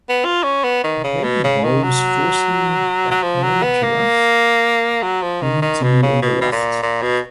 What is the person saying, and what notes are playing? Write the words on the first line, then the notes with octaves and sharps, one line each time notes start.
The play involves forcing that hand to ruff, only to be overruffed.
B3
F4
C#4
B3
D#3
C#3
B2
C#3
D#3
F#3
F#3
F3
F#3
B3
A#3
F#3
F3
D#3
D#3
B2
C#3
B2
B2
A#2
A#2
B2